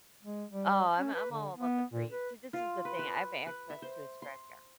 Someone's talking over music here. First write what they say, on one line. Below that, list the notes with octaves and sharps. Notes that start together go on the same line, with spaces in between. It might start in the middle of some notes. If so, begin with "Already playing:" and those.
Oh, I'm I'm all about the free. See, this is the thing, I have access to a scrap yard.
G#3
G3
C#4
B4
D3
B3
A#2
B4
F4
B4
B4
B4
E5
C5
C6